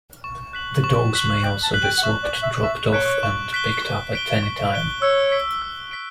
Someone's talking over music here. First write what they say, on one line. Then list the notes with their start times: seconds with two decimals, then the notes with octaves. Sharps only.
The dogs may also be swapped, dropped off, and picked up at any time.
0.24 C#6
0.53 F#6 B6 F#7
0.84 C#6
1.13 F#6 B6 F#7
1.44 G5 C#6
1.63 A5
1.74 F#6 B6 F#7
1.84 G5
1.98 F#5
2.03 E5 C#6
2.23 D5
2.33 F#6 B6 F#7
2.43 E5
2.63 E5 C#6
2.93 C#5 F#6 B6 D7 G7
3.23 C#6
3.53 F#6 B6 D7 G7
3.82 C#6
4.12 F#6 B6 D7 G7
4.43 C#6
4.72 F#6 B6 D7 G7
5.02 C#5 E6
5.32 B6 D7
5.62 E6
5.91 B6 D7